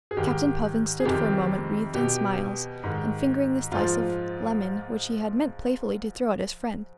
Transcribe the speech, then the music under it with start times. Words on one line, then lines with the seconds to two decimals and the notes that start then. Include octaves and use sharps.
Captain Puffin stood for a moment wreathed in smiles, and fingering the slice of lemon, which he had meant playfully to throw at his friend.
0.11 G#4
0.17 G#2 D#3 G4
1.00 G#4
1.05 F2 C3 D#3 G4
1.94 B2 G4
2.83 G#2 D#3
3.72 G#2 F3 F4